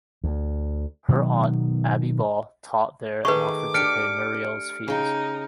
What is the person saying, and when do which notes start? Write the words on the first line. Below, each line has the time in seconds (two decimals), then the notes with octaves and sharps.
Her aunt, Abbie Ball, taught there and offered to pay Muriel's fees.
0.24 D2
1.08 B2 D#3 F#3 B3
3.25 D#3 A3 G#4 B4 C#6 D6
3.74 D4 G4 F6 C#7 D7
4.88 C#3 D#4 G5